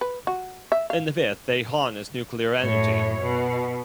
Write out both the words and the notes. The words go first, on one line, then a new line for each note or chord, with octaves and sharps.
In the fifth, they harness nuclear energy.
B4
F#4
E5
F5
F#2 A2 C#5
B2